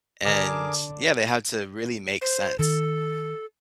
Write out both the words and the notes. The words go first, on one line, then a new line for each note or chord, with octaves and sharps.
and, yeah, they have to really make sense,
D3 D4 G#4 A#4 D6
C5
D#3 A4